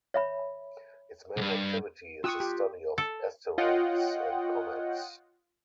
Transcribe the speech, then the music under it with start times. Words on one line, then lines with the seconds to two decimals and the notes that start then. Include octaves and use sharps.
Its main activity is the study of asteroids and comets.
0.14 C#5 E5 B5
1.37 C2 G2
2.24 F4 G5 C#6 D#6 E6 F#6
2.40 G4
2.98 A4
3.58 F4 C#5 D#5 F#5 G5